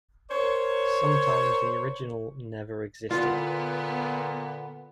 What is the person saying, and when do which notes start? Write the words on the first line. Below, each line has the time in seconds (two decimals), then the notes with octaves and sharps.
Sometimes the original never existed.
0.31 A#4 C5 C#5
3.11 A#2 D3 B3 F4